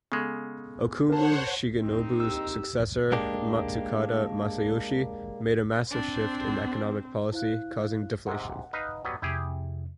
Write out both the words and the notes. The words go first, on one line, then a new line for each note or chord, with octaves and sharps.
Okuma Shigenobu's successor, Matsukata Masayoshi, made a massive shift in economic policy, causing deflation.
C#3 G#3 B3 A4
A#4 C5 C#5 F#5 A5
A#1 C4 D#4
G4 E6
G#3 A#3 D4 G4
C4 D4 C5
E4 C5 F5 F#6
G#2 C3 F#5
D#4 B4 F5
F#3 G3 B3
F2 C3 E4 G4 G#4